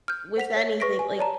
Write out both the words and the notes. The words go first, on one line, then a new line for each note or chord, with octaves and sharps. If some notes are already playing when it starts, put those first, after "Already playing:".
with anything like,
F6 G6
C5 F#5 B6 F7
C#5
G#4 B4 C#6 A#6 B6 D7
G#5
C#5 D5 A5 A#5